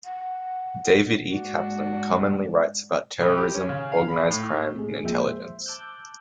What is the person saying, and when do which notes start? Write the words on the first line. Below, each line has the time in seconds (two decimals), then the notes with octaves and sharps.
David E. Kaplan commonly writes about terrorism, organized crime, and intelligence.
0.05 F#5
1.32 G#2 A#3 D4 F#4
3.21 C2
3.37 G4
3.54 C#4
3.69 C#3
3.92 F5
4.08 B5
4.31 A2
4.74 A2 C3 G#3 G#4
5.03 F2 A#2 G#3 A#3 E5 G5
5.25 C5 E5
5.66 A5 D6 E6 F#6 G6